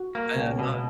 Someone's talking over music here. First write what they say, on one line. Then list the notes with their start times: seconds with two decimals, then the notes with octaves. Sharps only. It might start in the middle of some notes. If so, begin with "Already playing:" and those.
And I'm not
Already playing: F#4
0.15 A#3
0.37 C#2
0.59 B2